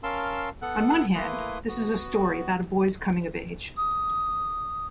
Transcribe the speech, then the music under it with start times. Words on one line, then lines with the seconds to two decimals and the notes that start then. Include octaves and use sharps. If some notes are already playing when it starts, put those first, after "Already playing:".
On one hand, this is a story about a boy's coming of age.
0.03 C#4 A#4 F5 A5 C6 E6
0.62 B3 A4 F#5 F#6
1.15 A3 A#3 E4 B4 C6 D#6
1.68 B3 F#4
3.77 D#6